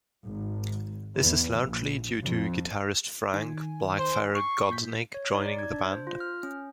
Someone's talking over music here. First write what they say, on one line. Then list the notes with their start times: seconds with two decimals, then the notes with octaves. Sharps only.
This is largely due to guitarist Frank "Blackfire" Godznik joining the band.
0.25 G#1
1.18 E2
1.62 A#1
2.23 F2
3.34 D#3 G#5
3.99 C5
4.35 G#5 C#6 C7
4.70 A#2 G6 B6
5.14 C#5
5.34 D#4
5.46 D5
5.59 G#6
5.73 D4
5.92 C5
6.07 F4
6.20 F6
6.43 C#4